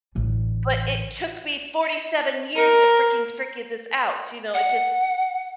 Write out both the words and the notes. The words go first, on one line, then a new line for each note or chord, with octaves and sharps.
but it took me forty-seven years to freaking figure this out, you know? It just
A1 D3
A#4
F#5